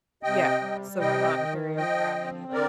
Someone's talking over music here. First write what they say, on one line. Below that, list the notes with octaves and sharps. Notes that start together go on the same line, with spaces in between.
yeah, so you're not carrying around any, like,
C3 D#5 G5
G3
C3 D#5 G5
D#3
F3 D#5 G5
C4
D3 A#4 D5